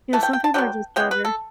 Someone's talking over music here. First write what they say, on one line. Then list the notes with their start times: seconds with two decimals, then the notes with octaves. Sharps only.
Yeah, some people are just better.
0.13 E3 A3 A5
0.23 G5
0.33 G5
0.44 A5
0.54 D3 F#3 B3 G5
0.96 C#3 E3 B3 G5
1.11 B4
1.25 A4